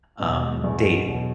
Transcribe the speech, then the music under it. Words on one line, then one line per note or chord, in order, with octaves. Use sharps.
um, dating.
B2 F#3
G#3
E2 F#3
F#3
B2